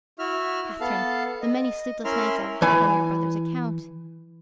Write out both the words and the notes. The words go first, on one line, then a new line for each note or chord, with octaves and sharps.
Catherine, the many sleepless nights I have had on your brother's account!
E4 F#4 E5 F6
B3 A4 F5 A5
D#5
C#4 E4 A#4 E5 C6 F6
E3 G#5